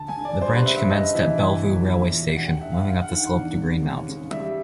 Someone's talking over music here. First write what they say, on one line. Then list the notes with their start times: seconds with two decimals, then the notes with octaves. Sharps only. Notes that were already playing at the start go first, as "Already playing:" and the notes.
The Branch commenced at Bellevue Railway Station, moving up the slope to Greenmount.
Already playing: D2 A5
0.08 G#5
0.16 D3
0.25 D5
0.41 G3 C5
0.53 B4
0.66 C#3 E5
0.77 E5
0.89 G2 D#5
1.14 E3 E5
1.39 C2
1.64 A#2
1.88 E2
2.12 B2
2.37 G2 F#5
2.44 G5
2.48 F#5
2.61 D3 E5
2.72 F5
2.84 G2 F5
3.01 F#5
3.09 D#3
3.18 F#5
3.34 E2
3.57 C3
3.82 D#2
4.07 C#3
4.31 G3 E5